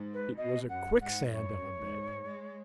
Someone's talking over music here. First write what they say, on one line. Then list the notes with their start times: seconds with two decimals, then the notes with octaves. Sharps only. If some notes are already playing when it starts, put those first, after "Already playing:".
It was a quicksand of a bed.
Already playing: G#2
0.13 B4
0.37 B2 D#5
0.69 F#2 F#5
1.01 G#2 F#5
1.32 F#2 C#5
1.79 G#2
2.27 G#3